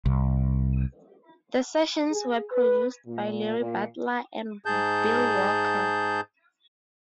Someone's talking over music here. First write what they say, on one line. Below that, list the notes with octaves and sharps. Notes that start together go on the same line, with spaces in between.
The sessions were produced by Larry Butler and Bill Walker.
C2
G#4
B4
A#2
A#2
G#2 G#4 A5 G6